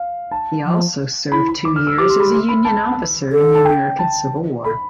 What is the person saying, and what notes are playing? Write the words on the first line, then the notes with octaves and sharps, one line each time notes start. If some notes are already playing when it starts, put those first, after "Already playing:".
He also served two years as a Union officer in the American Civil War.
Already playing: F5
A5
F3
E4 B5
B5
D6
F6
E6
G4 D6
C6
B5
C6
B5
A5
A4
A5
G5
A5
A4 B5